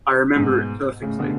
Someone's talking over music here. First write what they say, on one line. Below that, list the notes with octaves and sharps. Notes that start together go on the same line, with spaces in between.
I remember it perfectly.
G#2 B2
A2 C#3
B2 D3